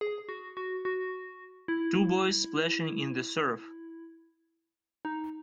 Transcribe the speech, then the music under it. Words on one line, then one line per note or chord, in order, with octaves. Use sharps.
Two boys splashing in the surf.
G#4
F#4
F#4
F#4
E4
D#4